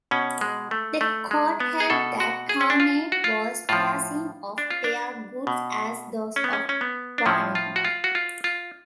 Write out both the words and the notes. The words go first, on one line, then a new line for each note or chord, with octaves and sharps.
The Court held that Townend was passing off their goods as those of Warnink.
B2 C#4
G#3
A3
A3
G#3
B3
G#4
B2 A4
F#4
G#4
C#4
D4
F4
F#4
F4
A2 F3 F4
D4
F4
D4
B2
C#4
B3
C#4
C#4
B3
D4
A2 F3 C#4
F4
F#4
F4
F#4
F4
F4